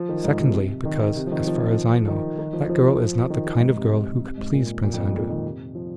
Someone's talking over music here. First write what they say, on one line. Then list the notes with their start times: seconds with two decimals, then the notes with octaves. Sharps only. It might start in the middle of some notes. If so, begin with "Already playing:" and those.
Secondly because, as far as I know, that girl is not the kind of girl who could please Prince Andrew.
Already playing: F3
0.09 D#3
0.24 G#2
0.39 C3
0.85 D#3
1.16 C3
1.27 F3
1.32 D#3
1.47 F3
2.08 D#3
2.39 D#3
2.53 F3
2.69 F3
3.30 D#3
3.60 G#2
3.76 C3
4.22 C3
4.37 G#2
4.53 A#2
4.83 A#2
4.93 F2
5.03 G#2
5.14 A#2
5.29 D#3
5.44 C3
5.75 F3